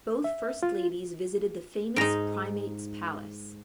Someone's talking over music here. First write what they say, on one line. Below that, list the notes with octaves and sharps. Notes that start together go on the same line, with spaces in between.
Both first ladies visited the famous Primate's Palace.
E5
F4
G#2 D#4 G#4 A#6 D7